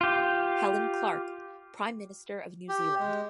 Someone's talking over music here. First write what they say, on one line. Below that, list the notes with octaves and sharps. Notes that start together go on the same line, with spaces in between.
Helen Clark, Prime Minister of New Zealand.
F4 G4
G4
G#3